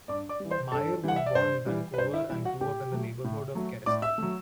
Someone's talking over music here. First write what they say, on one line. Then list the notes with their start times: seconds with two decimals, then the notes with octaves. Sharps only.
Mair was born in Vancouver and grew up in the neighbourhood of Kerrisdale.
0.08 G2 D5 D6
0.29 D5 D6
0.40 E3 G3
0.51 C5 C6
0.72 G2 A4 A5
1.03 E3 G3 F#5
1.16 E5
1.26 D5
1.35 G2 C5
1.66 E3 G3
1.94 B4
1.98 G2 C5
2.14 E4 E5
2.29 E3 G3 E4 E5
2.45 F#4 F#5
2.61 A2 G4 G5
2.92 F#3 A3
3.24 A2
3.55 F#3 A3
3.86 A2 D5 D6
4.02 E5 E6
4.18 F#3 A3